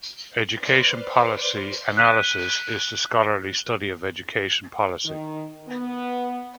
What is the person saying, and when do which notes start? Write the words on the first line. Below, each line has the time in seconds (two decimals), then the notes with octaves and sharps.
Education policy analysis is the scholarly study of education policy.
0.56 B4 C5 D5 C6 D6 F6
1.97 F#6 B6 D#7
5.05 D#3
5.68 B3